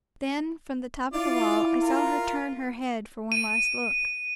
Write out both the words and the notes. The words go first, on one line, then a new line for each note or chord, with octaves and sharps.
Then from the top of the wall, I saw her turn her head for one last look.
E4 F4 D5
F4 A#4
D#7